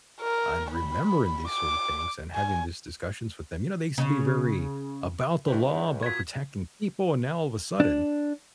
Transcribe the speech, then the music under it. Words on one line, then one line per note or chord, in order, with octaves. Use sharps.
and remembering these sort of things, and having these discussions with them you know, they used to be very about the law, about protecting people, and now all of a sudden
A#4
B5
D6
G#5
C#3
C#2 G2 F#4 G4
A#2 F#4 G#6 B6
D4